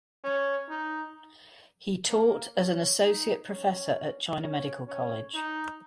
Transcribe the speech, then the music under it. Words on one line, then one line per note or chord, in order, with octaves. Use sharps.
He taught as an associate professor at China Medical College.
C#4
D#4
A#3
C#4
D#4
C#4
C#4
C#4
D#4